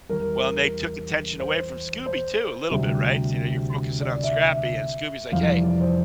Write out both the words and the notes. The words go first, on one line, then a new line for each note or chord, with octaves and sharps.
Well, and they took attention away from Scooby too a little bit, right, so you know, you're focusing on Scrappy, and Scooby's like, "Hey,
E2 E3 G3 A#4
C5
C5
D2 C3 G3
D5
E5
E5
F1 F2 E3 G3 F5
D5
D5
C5